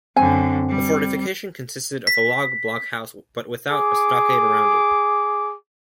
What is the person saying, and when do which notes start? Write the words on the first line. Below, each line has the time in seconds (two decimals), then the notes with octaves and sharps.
The fortification consisted of a log blockhouse but without a stockade around it.
0.16 F#2 D3 C4 G#5
0.69 G3
2.07 B6
3.71 G#4 D6